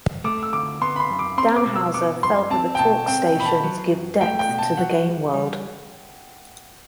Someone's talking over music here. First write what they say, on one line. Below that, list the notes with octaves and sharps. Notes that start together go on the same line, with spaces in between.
Dan Houser felt that the talk stations give depth to the game world.
A3 D6
E6
D2 D6
B3 C6
B5
C6
F#2
D6
C4 C6
D6
B2
E6
B3 D6
F#2 C6
C4 A5
G5
B2 A5
C4 G5
G5
B2 B5
A5
F#3
F#2
A3 G5
G5
B2
A5
F#3 F#5
E2
G3